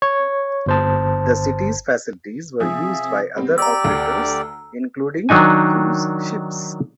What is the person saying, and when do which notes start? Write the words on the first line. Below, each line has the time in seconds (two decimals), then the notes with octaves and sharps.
The City's facilities were used by other operators including cruise ships.
0.02 C#5
0.66 G1 C5 A5
2.60 C3 F3 G#4 E5
3.36 G3 B3 C4
3.58 G4 D5 A#5 E6
3.84 D2 A3 D7
5.29 D#3 F#3 D4 D#4 G#5